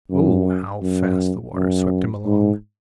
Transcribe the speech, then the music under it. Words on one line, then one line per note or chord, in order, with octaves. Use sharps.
Oh, how fast the water swept him along!
F#2
F#2
F#2
G#2